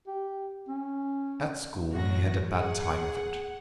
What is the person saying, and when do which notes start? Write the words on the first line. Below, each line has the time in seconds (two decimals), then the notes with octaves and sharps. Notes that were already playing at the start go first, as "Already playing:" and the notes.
At school he had a bad time of it.
0.07 G4
0.69 C#4
1.92 A1 F#2 F#4 A#6
2.53 G#4 F#5